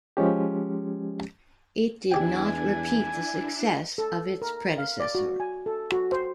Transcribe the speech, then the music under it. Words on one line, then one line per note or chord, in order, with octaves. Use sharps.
It did not repeat the success of its predecessor.
F3 G#3 C#4 G4
E2 D4 E4 G4 D5 G5 G#5
A4
A#4
F5
D5
F#4
G#5
A4
F#4
C5